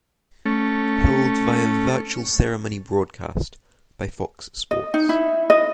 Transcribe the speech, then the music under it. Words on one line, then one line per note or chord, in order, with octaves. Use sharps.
Held via virtual ceremony broadcast by Fox Sports.
A3 C#4
D#5
D#4
E4
D#5